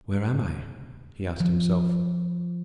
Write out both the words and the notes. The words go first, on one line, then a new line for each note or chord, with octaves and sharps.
"Where am I?" he asked himself.
F3